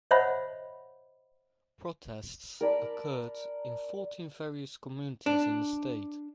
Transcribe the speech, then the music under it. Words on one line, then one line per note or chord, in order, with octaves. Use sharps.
Protests occurred in fourteen various communities in the state.
C5 C#5 D#5 E5 F#5 B5
A#4 D5 A5 B5
D4